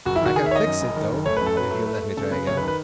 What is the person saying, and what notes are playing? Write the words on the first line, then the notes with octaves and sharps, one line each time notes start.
I can fix it, though, if you'll let me try again.
F#1 F#4
E4
D#3 F#4
D#3 G#4
E5
D#3 C#5 D#5
F#2
F#1
D#3
F#1
A3 C#5
B4
F#2
A4
F#3 B4
A3
A3
A3
C#3 A4
C#3 B4
F#2 C#5
B4
D#3
B4